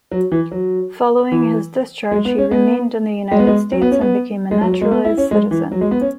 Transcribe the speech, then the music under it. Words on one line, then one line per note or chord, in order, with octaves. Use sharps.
Following his discharge, he remained in the United States and became a naturalized citizen.
F#3
E3
F#3
E3
G#3
B3
C#4
B3
G#3
B3
G#3
F#3
B3
C#4
B3
G#3
F#3
F#3
G#3
B3
E4
C#4
G#3
E3
F#3
G#3
B3
C#4